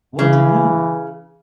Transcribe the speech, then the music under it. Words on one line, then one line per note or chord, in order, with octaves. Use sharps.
What to do?
C#3 E3